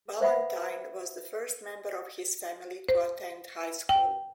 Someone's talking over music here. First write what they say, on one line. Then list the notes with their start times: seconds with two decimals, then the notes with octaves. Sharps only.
Ballantyne was the first member of his family to attend high school.
0.20 B4 C5 E5 F#5 B5
2.89 C5
3.89 G5